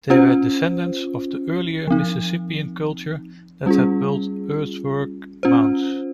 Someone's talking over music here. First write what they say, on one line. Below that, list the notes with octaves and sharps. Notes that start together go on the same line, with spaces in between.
They were descendants of the earlier Mississippian culture that had built earthwork mounds.
C#4 F4 C5
F3 C4 D#4
G3 C#4 F4 G#4
C#4 F4 C5